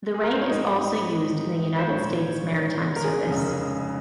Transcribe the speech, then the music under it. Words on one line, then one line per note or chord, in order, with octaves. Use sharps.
The rank is also used in the United States Maritime Service.
G#4
A#4
C5
C#5
G#2 F3 G#3 C4 D#4 D#5
C5
A#1 G#2 D#3 A#3 C#5
A#4
G#4
F1 F2 C#3 G#3 C#4